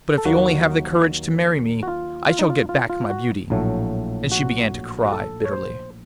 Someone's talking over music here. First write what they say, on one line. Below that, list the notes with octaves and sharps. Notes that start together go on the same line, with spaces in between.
But if you only have the courage to marry me I shall get back my beauty.' And she began to cry bitterly.
A4
D#2 D#3 F#3 A#3 F#4
F#4
F4
F4
D#4
F4
F4
F4
F#4
A#1 A2 F#3 A3
F#4
F#4
A4
C#5
C5